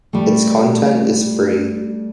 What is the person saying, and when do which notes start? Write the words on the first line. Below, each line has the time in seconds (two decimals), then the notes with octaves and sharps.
Its content is free.
0.13 G3 A3